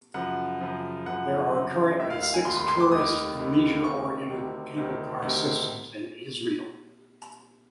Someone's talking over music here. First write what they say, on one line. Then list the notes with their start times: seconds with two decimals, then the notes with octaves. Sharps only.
There are currently six tourist and leisure oriented cable car systems in Israel.
0.14 F#2 C#3 F3 F#5
0.61 F#2 C#3 F3
1.06 F#2 C#3 F3 F#5
1.53 F#2 C#3 F3
1.99 F1 D#2 D#3 E5
2.10 F5
2.23 F5
2.34 G#5
2.45 F1 D#2 D#3 C6
2.57 C6
2.68 C6
2.80 D6
2.92 F1 D#2 D#3 D#6
3.37 F1 D#2 D#3
3.84 D2 C3 D#3 G3 C#6
4.30 D2 C3 D#3 G3
4.76 D2 C3 D#3 G3
5.22 D2 C3 D#3 G3